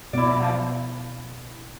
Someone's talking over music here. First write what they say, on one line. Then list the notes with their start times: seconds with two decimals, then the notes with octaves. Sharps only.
and have
0.13 B2 B3 E4 D5